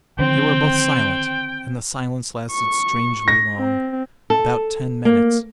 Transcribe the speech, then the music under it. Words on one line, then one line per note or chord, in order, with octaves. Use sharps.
They were both silent and the silence lasted strangely long, about ten minutes.
D3 D#3 F3 C4 G5
C#6
A#6
C4
A4
A#3